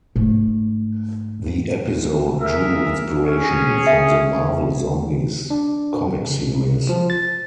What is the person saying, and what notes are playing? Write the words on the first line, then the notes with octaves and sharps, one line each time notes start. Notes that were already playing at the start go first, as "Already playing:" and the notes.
The episode drew inspiration from the "Marvel Zombies" comic series.
G#2 A3
G#4 A#4 E5
C#4 G#4
E5
D4
C#3
C3
F3
A6